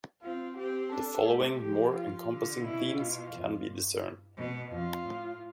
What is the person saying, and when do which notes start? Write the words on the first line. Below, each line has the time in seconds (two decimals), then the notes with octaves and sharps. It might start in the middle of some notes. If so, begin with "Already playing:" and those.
The following more encompassing themes can be discerned.
0.22 C4 F4
0.57 C4 G4
0.92 D4 A4
1.26 A3 G4
1.61 F3 G4
1.96 F4
2.30 D3
2.64 B2 E4
2.99 F4
3.34 F2
3.68 G2
4.37 B2
4.72 F2 F4
5.05 A2